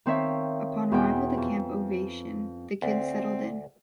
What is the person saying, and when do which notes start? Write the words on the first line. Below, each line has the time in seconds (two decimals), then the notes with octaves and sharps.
Upon arrival to Camp Ovation, the kids settle in.
0.06 D#3 C4 C#5 E5 F5 C#6
0.92 E2 B2 C#4 B4 G5
1.37 F2
2.82 D2 C4